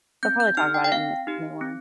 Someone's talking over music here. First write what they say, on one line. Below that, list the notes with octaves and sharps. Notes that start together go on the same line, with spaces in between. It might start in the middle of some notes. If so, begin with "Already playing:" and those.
They'll probably talk about it in this new one.
C4 G6
G6
D#4 G4 F6
G5
G5
C4 F5
D#4 G4
C4